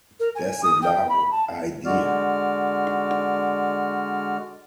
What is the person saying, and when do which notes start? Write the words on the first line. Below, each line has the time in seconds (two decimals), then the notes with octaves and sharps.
That's a novel idea.
0.19 A#4
0.35 G#5
0.63 D#6
0.81 G5
1.09 B5
1.31 A5
1.85 D3 G#3 F#4 D5 F6